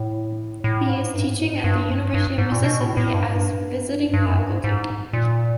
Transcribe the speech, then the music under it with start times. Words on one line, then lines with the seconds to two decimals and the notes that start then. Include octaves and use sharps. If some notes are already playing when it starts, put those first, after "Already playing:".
He is teaching at the University of Mississippi as visiting faculty.
Already playing: A2
0.64 A2
0.89 G#2
1.14 G2
1.26 G#2
1.39 A2
1.51 G#2
1.64 G2
2.14 G2
2.38 G#2
2.52 A#2
2.64 B2
2.80 A2
2.97 A2
3.14 G2
3.24 G#2
3.34 G2
4.07 G#2
4.14 G2
4.26 F#2
4.38 G2
4.51 G#2
4.64 G#2
5.13 A#2